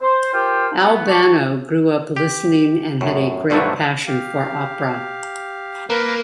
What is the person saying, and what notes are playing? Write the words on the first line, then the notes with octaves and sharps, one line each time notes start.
Al Bano grew up listening and had a great passion for opera.
C5
F4 G4 A#4 C5 G5
B3
G4 A5 C#6
G4
F#2 A2
G2 B2 D3 F3 F#3 A3
G4 F5
A#3 A#4 B4